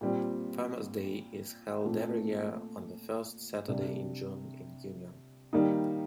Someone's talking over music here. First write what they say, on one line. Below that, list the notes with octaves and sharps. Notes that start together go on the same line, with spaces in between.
Farmers' Day is held every year on the first Saturday in June in Union.
A#2 G3 C4
A#2 A3 C4
C3 G3 D4
D#3 G3 A#3 D#4